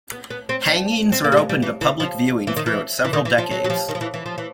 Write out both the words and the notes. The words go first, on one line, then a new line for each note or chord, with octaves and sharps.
Hangings were open to public viewing throughout several decades.
B3
B3
C4
D4
C4
A#3
G3
G#3
G3
E3
E3
F3
E3
D#3
E3
E3
D#3
E3
F3
F#3
F#3
F3
D#3
F3
E3
E3
F3
E3